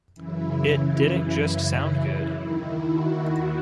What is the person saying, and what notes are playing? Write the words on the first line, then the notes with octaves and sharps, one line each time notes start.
It didn't just sound good.
F#2 C#3 E3 E4
E4
E4
D#2 D#3
F#4